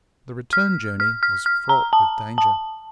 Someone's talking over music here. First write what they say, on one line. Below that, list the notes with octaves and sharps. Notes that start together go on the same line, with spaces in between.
The return journey was fraught with danger.
F6
F6
F6
F6
A#5
A5
A5